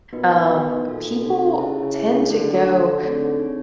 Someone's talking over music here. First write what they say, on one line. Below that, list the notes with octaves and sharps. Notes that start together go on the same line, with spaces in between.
um, people tend to go
A#2 B3 D#4 F#4 B4 D#5
B2 B3 D#4 F#4 B4 D#5
A#2 D#4 F#4 A4
C3 D#4 F#4 A4
C#3 E4 G#4 C#5 E5 A5
E4 G#4 C#5 E5 A5
D3 A3 D4 F#4
D3 A3 D4 F#4
D3 C4 D#4 G#4 C#5
C4 D#4 G#4 C#5